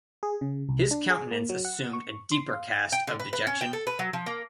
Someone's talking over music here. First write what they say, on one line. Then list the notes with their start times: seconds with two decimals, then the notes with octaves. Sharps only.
His countenance assumed a deeper cast of dejection.
0.23 G#4
0.41 C#3
0.69 C2
0.91 D4
1.10 G#4
1.31 A#3
1.49 F#3
1.65 F#5
1.93 C#6
2.32 C6
2.54 F5
2.92 G5
3.07 D3
3.19 B4
3.33 B4
3.47 C#4
3.61 G5
3.73 A4
3.87 B4
3.99 F#3
4.13 F3
4.26 A#3